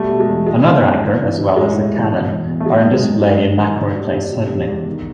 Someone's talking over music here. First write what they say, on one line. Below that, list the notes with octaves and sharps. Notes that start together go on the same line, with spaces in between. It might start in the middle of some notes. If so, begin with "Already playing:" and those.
Another anchor, as well as a cannon, are on display in Macquarie Place, Sydney.
Already playing: B2 G3 A3
B2
G#3
E2
E3 G#3
E3
G#2
E3
E3
G2
A2 G#3
A2
E3
B2
E2
E2
A3
D#3 G#3
F#2
G#3
F#2
G#2 G#3
G#2
D#3
D3
G2
G2
C3
E2
E2
D#3